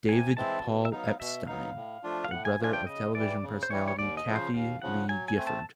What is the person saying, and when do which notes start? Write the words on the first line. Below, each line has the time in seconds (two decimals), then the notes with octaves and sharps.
David Paul Epstein, the brother of television personality Kathie Lee Gifford.
0.09 C3 G#5
0.37 E3 G#3 C4 E4 A5
0.65 B2
0.85 E5
0.92 F#3 B3 D#4 F5
1.20 B2 E5
1.47 F#3 B3 D#4 F5
1.75 A2
2.03 F3 A3 D4 F4
2.24 F5
2.31 A2 F#5
2.45 G#5
2.59 F3 A3 D4 F4 G#5
2.73 G5
2.87 C#3 D#5
3.14 E3 G3 D5
3.43 C#3
3.63 C5
3.70 E3 G3 C#5
3.88 C#5
3.98 D#2 D5
4.17 D#5
4.26 C#3 F3
4.35 C5
4.54 D#2 F5
4.82 C#3 F3 F#5
5.09 F#3 G#5
5.28 G#5
5.38 A3 C4
5.47 A5